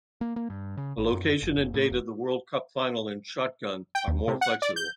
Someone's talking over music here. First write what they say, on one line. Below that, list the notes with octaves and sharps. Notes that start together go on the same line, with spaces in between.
The location and date of the World Cup Final in shotgun are more flexible.
A#3
A#3
G2
C#3
A1
F#2
F#1
F#1
A2
E1
G5
D#2
C3
F#5
D5
G6